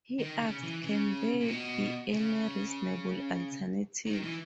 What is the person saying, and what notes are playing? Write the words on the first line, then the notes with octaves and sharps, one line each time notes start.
He asked Can there be any reasonable 'alternative'?
D#3
C#3
E3
C#3
A#2
B2
C#3
D#3
E3